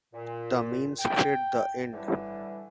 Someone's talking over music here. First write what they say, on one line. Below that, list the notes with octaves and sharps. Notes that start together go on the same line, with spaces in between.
The means fit the end.
A#2
G5
A2 D3 E3 G3